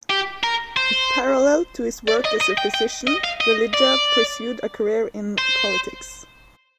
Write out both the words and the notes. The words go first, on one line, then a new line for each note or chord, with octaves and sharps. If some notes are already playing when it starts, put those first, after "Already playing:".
Parallel to his work as a physician, Religa pursued a career in politics.
G4
A#4
C5
D5
D#5
D#5
G5
G5
D#5
F5
D#5
D5
C5